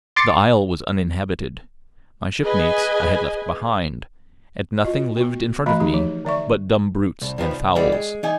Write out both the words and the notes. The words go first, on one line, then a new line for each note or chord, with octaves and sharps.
The isle was uninhabited; my shipmates I had left behind, and nothing lived in front of me but dumb brutes and fowls.
C6 D6 A6 C7 C#7
G#4 B4 D#5 G#5
F4 F#4 D#5
B3 F#4
E3 A3 F#4 D#5 A#5 B5
D3 D#4 G4
F3
D3 D5 E5 C#6
C2
D#3 F3 A#4 B4
C2
E3 G3 G#3
G#3
E3 D#4 G#5